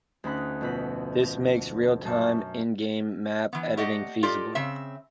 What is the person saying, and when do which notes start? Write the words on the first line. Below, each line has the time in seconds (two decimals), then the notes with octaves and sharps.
This makes realtime in-game map editing feasible.
0.24 D2 C#4 D#4 B5 F#6
0.61 F2 B2 B5
2.05 F#2 A5 C#6
3.53 E3 B3
3.77 A3 G4 D5 D#5 F#5
4.23 F4 G4 A4 D5 D#5
4.55 C#3 C4 E5